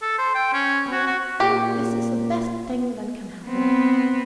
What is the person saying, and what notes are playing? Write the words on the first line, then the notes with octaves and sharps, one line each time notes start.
I think this is the best thing that can happen.
A4
C5
G5
C#4
F#4
F#4
A#2 G4
B3 C4